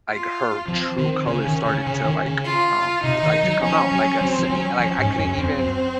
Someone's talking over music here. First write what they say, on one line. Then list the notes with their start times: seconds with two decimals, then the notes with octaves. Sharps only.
like her true color started to, like, um, like, to come out, like, I seen eh, like, I couldn't even,
0.10 F4
0.68 F3 C4
0.98 D#3
1.27 C#3 C#4
1.47 D#3
1.66 C#3
1.87 C#3
2.05 D#3
2.26 C#3
2.45 F4
3.03 C3 D#4
3.23 D#3
3.43 F#3
3.63 F3 C#4
3.92 F#3
4.20 F#3 C4
4.39 F3
4.50 F#3 C#4
4.79 F3 C#4
4.99 G#2
5.19 F#2
5.38 F2 C4
5.58 F#2